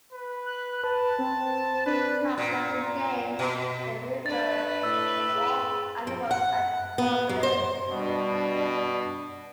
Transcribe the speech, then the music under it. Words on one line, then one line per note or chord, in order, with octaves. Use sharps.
Characters in games may refer to all animals as "monsters".
B4
F#6
B4 A5
C4
D4 B4
A#2
B2
A3 D4 B4 A6
A2 E6
G#4
F3
F#5
B3
F#3
C5
B2 G3 D4